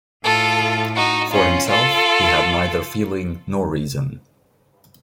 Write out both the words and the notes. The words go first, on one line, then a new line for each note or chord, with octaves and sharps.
For himself, he had neither feeling nor reason.
A2 F4 A4
D#4 F#4
C#4 F4
F4 A4